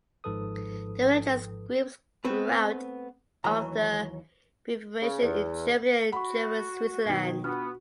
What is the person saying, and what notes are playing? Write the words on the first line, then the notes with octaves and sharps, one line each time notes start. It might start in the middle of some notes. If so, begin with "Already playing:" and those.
The religious groups grew out of the Reformation in Germany and German Switzerland.
G#1 G#2 F3 A4 B4 D#6
A3 B3 C4 B4
D#2 E3 F#3 A#5
C#3
E2
F#4 F#5 B5 C#6
B2 D#3 G#6 C7
B3 D4 F4 F#4 F6